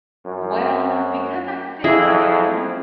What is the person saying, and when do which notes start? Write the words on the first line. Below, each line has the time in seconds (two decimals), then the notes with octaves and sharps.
Well, because I sit down
0.26 F#2
1.84 F2 E4 G#4 D#5